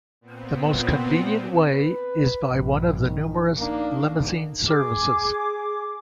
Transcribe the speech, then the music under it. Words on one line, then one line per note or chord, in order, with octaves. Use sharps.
The most convenient way is by one of the numerous "limousine services".
A#2 B3 C4
B4
A#1 G2
D#3
A#3 D4 D#4
D3
G#4 D6